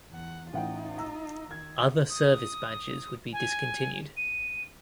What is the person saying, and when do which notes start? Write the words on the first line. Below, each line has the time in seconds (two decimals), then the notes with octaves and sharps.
Other service badges would be discontinued.
0.11 E2 F#5
0.53 A1 D#4 F4 F#5 G5
0.98 A#5 E6
1.51 D#3 G#6
2.10 D#6
3.33 G#5
4.17 D#7